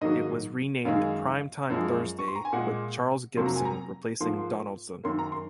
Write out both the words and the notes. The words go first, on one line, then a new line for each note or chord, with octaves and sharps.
It was renamed "Primetime Thursday" with Charles Gibson replacing Donaldson.
G#2 D#3 F#3 A#3 D#5
F#2 D#3 G#3 F5
F#2 F3 G#3
C#6
C6
A#5
G#5
A#2 G#3 F#5
F2 C3 F#3 A#3 C6
A#5
G#5
A#5
G#2 F3 A#3 C6
F#2 D#3 A#3 C6
A#5
C6